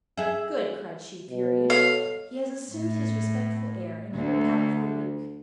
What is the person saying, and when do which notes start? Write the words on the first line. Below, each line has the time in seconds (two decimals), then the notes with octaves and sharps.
"Good!" cried she, furious; "he has assumed his respectful air--and he will pout for a week."
0.17 G#4 E5
1.30 B2
1.70 A4 C#5 F5
2.70 A2
4.14 D2